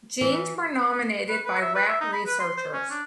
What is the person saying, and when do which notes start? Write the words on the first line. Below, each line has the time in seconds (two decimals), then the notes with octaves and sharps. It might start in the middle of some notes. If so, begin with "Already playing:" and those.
Genes were nominated by rat researchers.
0.21 E3
1.29 B4
1.45 B4
1.62 E5
1.75 B4
1.88 E5
2.01 D#4
2.13 B5
2.26 B4
2.39 C6
2.57 C5
2.73 C#4
2.90 D4